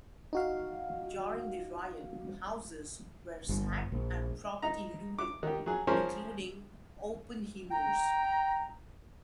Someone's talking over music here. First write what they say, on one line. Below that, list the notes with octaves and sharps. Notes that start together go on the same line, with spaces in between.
During the riot, houses were sacked and property looted, including Oppenheimer's.
D#4 F#4 F5
G1
A#1
D#4 A#5
D6
D#3 G4
F#3 G#4
F3 C#4 G#4 A#4 C5 C#5
G5 A#5